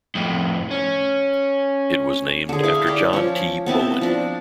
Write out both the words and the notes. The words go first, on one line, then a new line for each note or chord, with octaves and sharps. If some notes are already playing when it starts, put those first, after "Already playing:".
It was named after John T. Bowen.
F2 A2
C#4
D3 G#4
E4 F5 G#5
G4 A#4 D5 D#5
F3 C#4
B3 C4 E4 A5
F3 D4